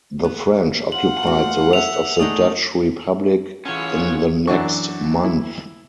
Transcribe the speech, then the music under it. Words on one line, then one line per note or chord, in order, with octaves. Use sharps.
The French occupied the rest of the Dutch Republic in the next month.
B3
F4 F#5 F#7
A3 F#4
E5 F7
A3 D4 D#4 G#4
E3 C#4 F4 G#4 C#5 F#5
F#2 E3 D4 F#4 C#6
E4